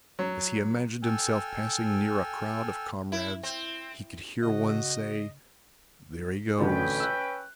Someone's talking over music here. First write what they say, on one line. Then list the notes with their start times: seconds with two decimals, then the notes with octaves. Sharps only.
As he imagined himself passing near a crowd of comrades, he could hear one say, "There he goes!"
0.19 F#3
1.03 A4 G5 G#5 E6 F6
3.12 E4
3.43 C4
4.43 C#3 F#4 D#5
6.59 A1 D2 D3 C#4 B4 G5
7.00 E6 F#6